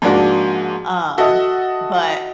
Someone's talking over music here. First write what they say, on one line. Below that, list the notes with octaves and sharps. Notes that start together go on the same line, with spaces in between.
um but,
G#2 F3 A#3 D4 F#4
F#4 A4 D#5 E5 F#5